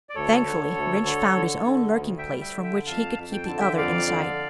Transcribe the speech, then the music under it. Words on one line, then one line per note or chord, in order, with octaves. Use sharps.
Thankfully Rynch found his own lurking place from which he could keep the other in sight.
D5
D2 A4 C#5
D3
D2
D3
D3
D3
D2
E5 G5
G3
E5 G5
D3
E5 G5
F2 F5 A5
F2
G5
D3 A5
E5 G5
F2 D5 F5
D3